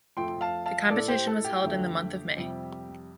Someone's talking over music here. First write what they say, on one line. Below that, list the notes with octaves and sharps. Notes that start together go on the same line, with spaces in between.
The competition was held in the month of May.
F2 F3 A3 G5 C6
F5 A5
F5 A5
A2 A3 A4 D5
G4 C5
A4
G4
F2 D3 A3
F2 C3 G3